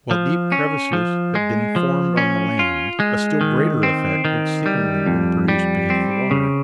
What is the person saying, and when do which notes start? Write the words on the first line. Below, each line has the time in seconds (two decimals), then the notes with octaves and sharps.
While deep crevices had been formed on the land, a still greater effect had seemingly been produced beneath the water.
0.11 F3
0.52 C#4
0.93 F3
1.35 G#3
1.76 F3
2.17 C#4
2.59 F4
3.00 G#3
3.41 D#3
3.83 C4
4.25 D#3
4.66 G3
5.06 F2
5.48 G3
5.90 C4
6.31 C#3